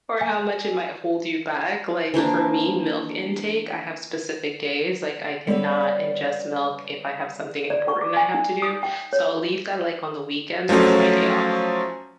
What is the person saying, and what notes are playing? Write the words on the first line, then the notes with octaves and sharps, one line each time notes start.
Or how much it might hold you back. Like, for me, milk intake, I have specific days, like, I cannot ingest milk if I have something important I have to do. So, I'll leave that, like, on the weekends or on my day off
G#5
E3 F3 A#3 D4
G3 B3 B4 C#5 D5 E5
D5
C#6
D6
G#5
D#4
D#6
G5
C#5
F3 F#3 A3 C#4 F4